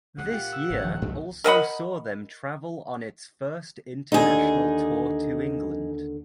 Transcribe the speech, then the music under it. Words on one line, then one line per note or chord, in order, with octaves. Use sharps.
This year also saw them travel on its first international tour to England.
C#2 C3 F#5
A#2 F4 G4 C#7
E6
G#1 A2
D#1 D#3 F3
C2 G2 F3 F#3 A3
A#4 D#5 F#5 B5
D#2 D3 D#4 G#4